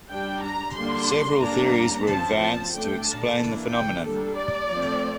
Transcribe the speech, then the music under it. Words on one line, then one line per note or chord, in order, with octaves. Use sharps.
Several theories were advanced to explain the phenomenon.
G3 D4 G5
A#5
D3 G3 A#3 D4 C6
G3 A#3 D4 A#5
F3 C4 A5
A5
D3 A3 D4 G5
A5
E3 A#3 D4
G5
G3 D4 A4
D5
F3 A3 C4